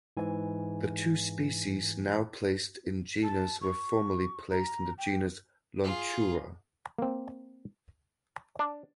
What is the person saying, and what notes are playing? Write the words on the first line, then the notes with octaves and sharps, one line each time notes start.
The two species now placed in genus were formerly placed in the genus "Lonchura".
G#2 E3 G#5
A5
C#6
A#5
G5
F4 G#4
A#3 C4
D4